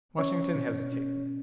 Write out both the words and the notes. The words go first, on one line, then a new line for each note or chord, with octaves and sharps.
Washington hesitated.
C#4 C#5
B2
C#4